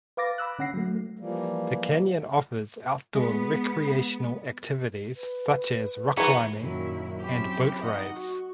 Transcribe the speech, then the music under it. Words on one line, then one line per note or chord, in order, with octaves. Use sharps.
The canyon offers outdoor recreational activities such as rock climbing and boat rides.
B4 F5 D6 A6 A#6
B5 D6 E6 F#6
D3 C#4 F#5 A#6 C7
F#3 A3
A3
E3 F3 G3 A#3
G#3 B3
B4
E3 B3 G#4 A#5 C#6 C#7
F#2 A#2 D#3 F#3 C#4 E4
F#3 C4 C#4 E4 G4
D#4 D#5 F#5
F#4